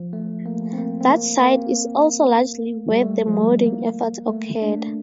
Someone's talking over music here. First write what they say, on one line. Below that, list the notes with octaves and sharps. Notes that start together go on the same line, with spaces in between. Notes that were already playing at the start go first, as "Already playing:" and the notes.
That site is also largely where the modding efforts occurred.
Already playing: F3
A3
A#3
C4
A#3
C4
A#3
C4
A#3
G3
A3
F3
G3
A#3
A3
D4